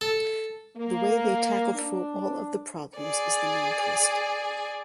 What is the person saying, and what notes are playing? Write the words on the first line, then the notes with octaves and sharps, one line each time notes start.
The way they tackle through all of the problems is the main twist.
A4
A#3
D4
G#4 D5